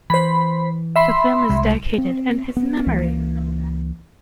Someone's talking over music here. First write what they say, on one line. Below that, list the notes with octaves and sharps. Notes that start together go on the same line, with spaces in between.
The film is dedicated in his memory.
E3 C5 B5
E5 B5 C6
C2 G#3
C4
B3
C#2 E3 A#3